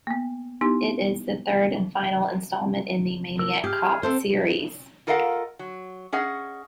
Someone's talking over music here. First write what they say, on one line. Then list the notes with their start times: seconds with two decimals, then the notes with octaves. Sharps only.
It is the third and final installment in the "Maniac Cop" series.
0.07 A#3 B3
0.61 B3 D#4 E4 G4
3.39 E3 A#4 E6
3.64 G4 G#4 F6
4.03 C4 A4 C5
5.07 F4 A4 A#4 D#5 F5 F#5
5.59 F#3
6.12 C#4 G#4 D#5 F#5